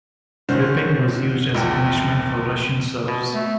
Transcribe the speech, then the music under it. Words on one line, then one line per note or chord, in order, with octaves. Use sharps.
Whipping was used as a punishment for Russian serfs.
D3 D#3 C#4 C5
A#1 E2 G5
B2
A3